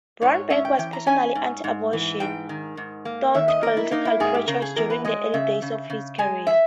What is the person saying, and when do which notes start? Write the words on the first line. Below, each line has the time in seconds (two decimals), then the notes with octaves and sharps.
Brownback was personally anti-abortion though politically pro-choice during the early days of his career.
0.22 G#2 C#5
0.50 C#4 E5
0.65 G5
0.78 E3 G5
0.93 A#5
1.07 C#4 G#5
1.35 G#2
1.64 G#2
1.93 E3
2.20 G#2 G5
2.49 D#3
2.77 G#2
3.05 A#3
3.34 D#3 E5
3.48 D#5
3.62 A#3 A#4
3.77 E4
3.91 A#3 D#4
4.05 E4
4.20 G#2 G#4
4.34 G4
4.47 C#3 A#4
4.62 G#4
4.76 E2 A#4
4.90 B4
5.05 G#3 D#5
5.34 C#3 E5
5.62 C#3
5.90 C#3
6.18 G#3 G#5
6.47 E5